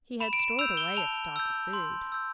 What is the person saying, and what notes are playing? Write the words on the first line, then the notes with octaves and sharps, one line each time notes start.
He had stored away a stock of food.
B5 E7
D7
E7
E6 G6 F7
G7
A5 F7
E6 G6
C6
E6 G6